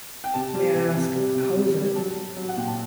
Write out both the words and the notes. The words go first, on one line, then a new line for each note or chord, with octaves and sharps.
May I ask — How is it?
G5
C3 A5
G3
C3
C3
G3
C3
C3
G3
F#3 A5
F#3
F#3
F#5
A#2 G5
A5